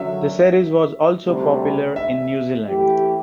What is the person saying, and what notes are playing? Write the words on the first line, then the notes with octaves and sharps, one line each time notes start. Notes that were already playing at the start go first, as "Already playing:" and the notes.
The series was also popular in New Zealand.
Already playing: F#2 D3 F#3 E5
D2 C3 G3 D4
E5
E3 A3 E4 G4